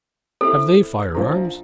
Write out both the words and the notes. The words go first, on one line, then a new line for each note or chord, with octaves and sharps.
"Have they fire-arms?"
C4 E4 A4
A#1 F3 A#5